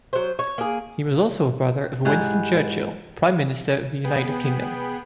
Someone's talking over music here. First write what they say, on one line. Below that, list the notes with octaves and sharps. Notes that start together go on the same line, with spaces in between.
He was also a brother of Winston Churchill, Prime Minister of the United Kingdom.
F#3 C5
C#5
A#3 G#4
G#2 E4 G4 G#4 G#5 F#6
B3 G#4 G5 B5